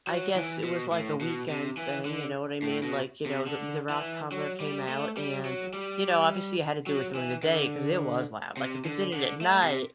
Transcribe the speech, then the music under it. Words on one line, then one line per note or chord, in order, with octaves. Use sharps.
I guess it was, like, a weekend thing, you know what I mean, like, you know, the the rock tumbler came out and you know, obviously you had to do it during the day 'cause it was loud, like, if it did it at night
F#3
E3
B2
A2
B2
C3
E3
D3
A2
B2
C3
D3
E3
F#3
G3
A3
G3
F#3
G3
F#3
E3
D3
C3
D3
D3
A3
C3